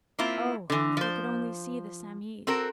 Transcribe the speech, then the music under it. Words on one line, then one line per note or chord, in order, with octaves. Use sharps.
Oh, if they could only see the Psammead!
A#3 C4 E4 F4
D3 E3
F3 C5
C4 F#4 A4 A#4